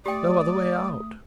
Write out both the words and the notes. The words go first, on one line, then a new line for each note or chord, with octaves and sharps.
No other way out.
A3 G4 D5 G5 D#6